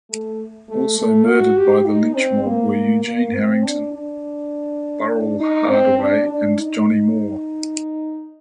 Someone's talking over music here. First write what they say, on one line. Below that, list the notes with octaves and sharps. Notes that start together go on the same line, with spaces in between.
Also murdered by the lynch mob were Eugene Harrington, Burrell Hardaway, and Johnie Moore.
A3
A3
A3
F#4
G4
D#4
C4
A#3
A#3
C4
D4
D4
D#4
C4
D4
D4
D#4